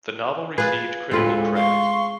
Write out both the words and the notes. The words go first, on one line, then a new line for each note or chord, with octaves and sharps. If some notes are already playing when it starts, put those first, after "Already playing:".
The novel received critical praise.
F4 G#4 B4
D2 A2 G#3 C4 F4 A4 B4
F5 C6 C#6